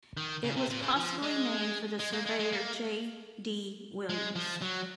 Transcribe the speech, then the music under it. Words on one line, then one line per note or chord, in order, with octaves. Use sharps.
It was possibly named for the surveyor, J. D. Williams.
D#3
C#3
C3
A#2
C#3
F3
G#3
G#3
A#3
G#3
G#3
A#3
G#3
F3
F#3